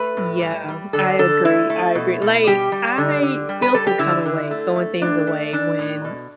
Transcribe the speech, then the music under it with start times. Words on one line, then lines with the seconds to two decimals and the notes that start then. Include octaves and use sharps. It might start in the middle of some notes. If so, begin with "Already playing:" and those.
Yeah, I agree, I agree, like, I feel some kinda way throwing things away when
Already playing: A3 B4
0.17 A2
0.42 G3
0.68 G3
0.93 D3 A4
1.19 D3 A4
1.45 A3 E4
1.70 A3
1.95 B2
2.22 B2
2.47 G3 G4
2.72 G3
2.98 D3
3.23 D3
3.49 G3
3.62 B4
3.74 G3 A4
3.87 G4
3.99 D3 E4
4.26 D3
4.51 A3
4.76 A3
5.02 A2 D4
5.27 A3
5.53 E3 D4
5.79 A2
6.04 B2